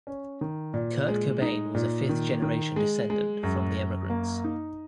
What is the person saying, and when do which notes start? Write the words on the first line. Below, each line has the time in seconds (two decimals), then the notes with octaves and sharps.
Kurt Cobain was a fifth generation descendent from the emigrants.
0.07 C#4
0.41 D#3
0.74 A#2
1.08 G#3
1.42 D#4
1.75 A#2
2.09 D#3
2.42 D#3
2.76 G#3
3.10 G#3
3.43 F#2
3.77 F#2
4.10 A#3
4.44 D#4